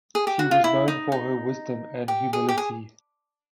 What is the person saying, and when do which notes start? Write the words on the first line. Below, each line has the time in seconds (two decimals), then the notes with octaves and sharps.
She was known for her wisdom and humility.
0.15 G#4
0.27 G4
0.39 F#4
0.51 F4
0.64 E4
0.88 D#4
1.12 D#4
2.08 G4
2.33 G#4
2.49 G4
2.58 G#4